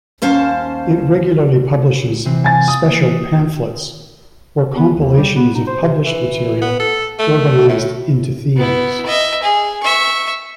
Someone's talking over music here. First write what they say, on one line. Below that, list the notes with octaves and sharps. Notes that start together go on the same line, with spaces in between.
It regularly publishes "special pamphlets," or compilations of published material organized into themes.
D#2 C#4 C5 F5 A5
D2
C3 E3 C4
G#5 A6
D#6
E3 A#3
D#2
B3
D#2
G3
B3
D#4
C5
C3
E3
B3
A4
A3
A2
B3 E4
D#5 E5
G#4
E5 C#6